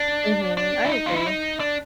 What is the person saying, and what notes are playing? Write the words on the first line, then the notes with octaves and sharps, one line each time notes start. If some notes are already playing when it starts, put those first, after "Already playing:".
Mhm. I agree.
Already playing: D4
D4
E4
D#4
F4
E4
D#4
D4